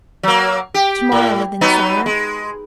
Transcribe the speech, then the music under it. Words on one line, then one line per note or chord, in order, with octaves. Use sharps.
"Tomorrow, then, sire?"
F#3 A#3
G4
A2
F#3 B3 D#4
G#3